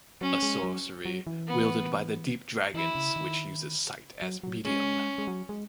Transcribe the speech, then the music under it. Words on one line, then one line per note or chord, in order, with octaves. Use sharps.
A sorcery wielded by the Deep Dragons which uses sight as medium.
F#3 C#4
G#3
F#3
F#3
E3
B3
E3 E4
C#3
D#3
F#3
F#3
G#3 C#4
G#3
F#3
G#3